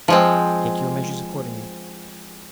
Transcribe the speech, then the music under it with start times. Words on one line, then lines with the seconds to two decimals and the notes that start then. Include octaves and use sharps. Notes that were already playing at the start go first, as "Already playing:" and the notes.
Take your measures accordingly.
0.08 F3 G#3 C4